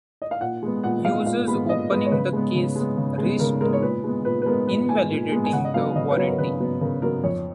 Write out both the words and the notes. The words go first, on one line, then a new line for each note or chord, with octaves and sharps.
Users opening the case risked invalidating the warranty.
D#5
F5
A#2 F#5
G#3 B3
A#2 F#5
G#3 B3 F5
A#2 F5
G#3 B3 B5
A#2 D#5
G#3 B3 B4
C#5
C#3 B4
G#3 B3
C#3
G#3 B3
C#3
G#3
B3
C#3 A#4
G#3 B3 A#4
C#5
A#2 B4
G#3 B3
A#2 B4
B4
G#3 B3 A#4
A#2 B4
G#3 B3 G#5
A#2
G#3 B3
G#5
C#3 F#5
D#5
F#3 B3 F5
C#3 D#5
B4
F#3 B3 C#5
A#4
C#3 B4
F#3 B3
C#3 A#4
F#3 B3 A#4
F2 C#5